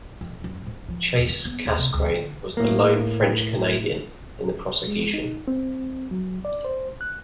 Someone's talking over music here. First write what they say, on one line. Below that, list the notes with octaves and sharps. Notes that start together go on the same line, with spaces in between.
Chase-Casgrain was the lone French-Canadian in the prosecution.
F2
F#2
G#2
F3
E2
D3
B3
D#2
C3
D2
D3
A2 A#3
G#3
D#4
C4
F#3
D5
C5
F#6